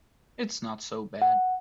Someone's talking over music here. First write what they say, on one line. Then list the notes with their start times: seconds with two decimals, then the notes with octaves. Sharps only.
It's not so bad.
1.22 F#5